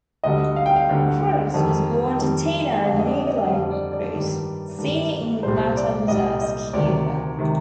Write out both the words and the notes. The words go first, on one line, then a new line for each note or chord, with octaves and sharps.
Cruz was born to Tina and Nilo Cruz, Senior in Matanzas, Cuba.
D2 D3 G3 D#5
F5
G5
F5
D2 D3 G3 G5
F2 D#3 G3
F2 D#3 G3
F2 D3 G3 F5
D#5
D5
D#5
F2 D3 G3 F5
D5
D5
G2 D#3 G3
G2 D#3 G3
C2 A#2 G3 C5
D5
C2 A#2 G3 D#5
D#5
D2 C3 D#3 D5
C3 D#3